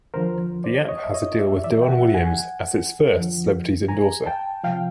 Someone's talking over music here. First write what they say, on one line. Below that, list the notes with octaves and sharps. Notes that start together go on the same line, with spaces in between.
The app has a deal with Deron Williams as its first celebrity endorser.
D#2 D3 F3 A#4 C5
C5 D5
C#5 D#5
E5
C#5 D#5
D5 E5
G2 E3 D5 E5
G5
E5 F#5
F#5 G#5
F2 D3 F3
G#5 A#5
G5 A5
C3 F3 F5 G5